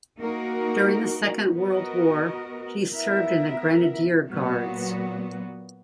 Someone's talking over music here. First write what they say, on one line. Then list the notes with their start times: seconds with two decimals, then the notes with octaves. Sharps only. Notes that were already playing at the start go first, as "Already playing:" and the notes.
During the Second World War he served in the Grenadier Guards.
0.19 A#3 D#4 F#4 A#4
1.56 B3 F#4 A#4 D#5
2.92 B3 E4 A#4 E5
4.30 A#2 F#3 B3 F#4